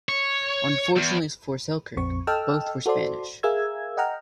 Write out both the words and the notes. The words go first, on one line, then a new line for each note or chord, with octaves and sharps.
Unfortunately for Selkirk, both were Spanish.
C#5
E2
A#1 F2 C4 C#6
A4 D#5 G5 A5 E6 F6
F#4 A4 C5 D5 C6
G#4 A#4 E5 F5 E6 G#6
D#5 F#5 G5 A#5 F6